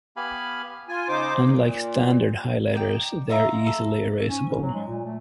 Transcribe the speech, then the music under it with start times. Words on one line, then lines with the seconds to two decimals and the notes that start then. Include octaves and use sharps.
Unlike standard highlighters, they are easily erasable.
0.17 B3 G4 F5 G#5 B5
0.89 F4 G#5
1.09 C#3 D#4 C5 D6
1.48 A#2
2.74 D#4 D5 G5
3.29 D#4 F4 E5 A#5
3.66 A4
4.02 G#2
4.16 G#2
4.29 C#4
4.49 G#2
4.62 F#3
4.74 G#3
4.87 A#2
5.05 A3